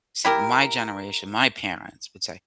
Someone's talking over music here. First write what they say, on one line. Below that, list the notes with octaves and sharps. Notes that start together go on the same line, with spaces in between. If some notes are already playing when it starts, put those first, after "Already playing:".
see, my generation, my parents would say,
E4 G4 A#4